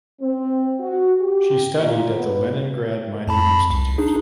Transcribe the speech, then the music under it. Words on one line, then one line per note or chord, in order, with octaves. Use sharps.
She studied at the Leningrad Mining Institute.
C4
F#4
G4
A#2
B3
F2 A5 B5
C2
D4 D#4 G#4